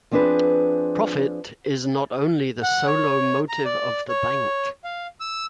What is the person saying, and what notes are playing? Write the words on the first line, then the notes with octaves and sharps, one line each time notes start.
Profit is not only the solo motive of the bank.
F3 C4 D4 G#4 B4
F#5
C#5
A#5
D5
C#5
F5
E6